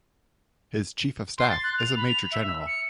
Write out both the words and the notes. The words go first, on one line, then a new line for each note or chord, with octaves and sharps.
His chief of staff is a major general.
C6
A6
F#6
F7
B5
F7
E5
E6
C#7